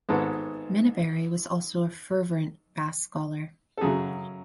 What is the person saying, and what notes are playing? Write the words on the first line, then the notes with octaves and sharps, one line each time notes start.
Minaberri was also an fervent Basque scholar.
G#1 G#2 G#3 B3 A4
A4
F#2 C#3 F#3 G#4